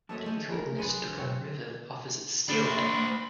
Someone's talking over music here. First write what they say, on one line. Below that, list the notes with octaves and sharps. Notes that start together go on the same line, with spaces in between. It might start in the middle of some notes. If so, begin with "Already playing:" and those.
The Little Nestucca River offers steelhead.
F#2 A#2 A3 A4 C#5 D#5 A5
G#3 A3 G#4
F3 A#4
F#3 A3 C#4 G#4 B4 G#5 C6
D4
B2 F#3 C4 C#5
A3 D4 C5 B5